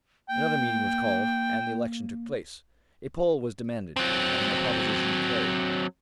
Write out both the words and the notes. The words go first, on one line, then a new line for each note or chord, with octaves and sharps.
Another meeting was called, and the election took place; a poll was demanded, and my proposition carried.
A#3 G5
F#3 C4